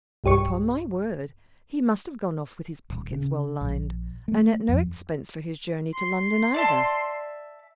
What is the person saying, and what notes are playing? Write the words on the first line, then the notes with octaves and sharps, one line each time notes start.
"Upon my word, he must have gone off with his pockets well lined, and at no expense for his journey to London either!"
B1 G2 G4 C#5 C#6
D#1
C#3
A#1
A3
F2
C6
D5 E5 A5